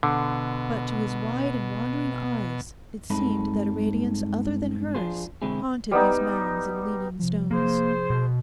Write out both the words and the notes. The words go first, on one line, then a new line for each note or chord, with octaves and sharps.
But to his wide and wandering eyes it seemed that a radiance other than hers haunted these mounds and leaning stones.
B2 D3
G2 G#3 C4 D#4 A4 B5
F3 D4 F4 G#4 C5
B1 D3 G#3 C4 E4 G#4
G3 B3 D#4
C3 F3
A#3 G#4 C5
B2